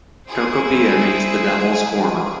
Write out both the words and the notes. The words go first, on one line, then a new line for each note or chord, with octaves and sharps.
Tocopilla means "the devil's corner".
E4 G#4 C5